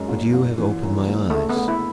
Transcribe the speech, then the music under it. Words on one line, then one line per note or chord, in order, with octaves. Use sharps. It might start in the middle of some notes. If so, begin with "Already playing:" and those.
But you have opened my eyes.
Already playing: F#2 G#3
F#1
F#1
E3
F#2
F#1
C#3 A3
B3
D2
E4